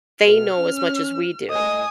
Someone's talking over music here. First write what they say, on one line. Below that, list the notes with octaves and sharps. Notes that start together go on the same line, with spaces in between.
they know as much as we do
B2 F6
C#4
A2 D#5 G#5 D#6